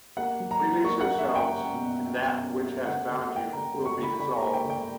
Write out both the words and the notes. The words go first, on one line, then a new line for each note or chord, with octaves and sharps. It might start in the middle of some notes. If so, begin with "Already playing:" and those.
Release yourselves, and that which has bound you will be dissolved.
A#3 F#5
F#3
A#5
F#3
A#3 C#6
F#5
A#3
E5
C#4
G5
C#4
B2
C#4
B2
C#4
A#3
D3 F#5
D3
F#5
A#3
G5
D3 A#5
D3
C#6
D3
B5
D3 B5
A#5
A#3
G5
D3
G5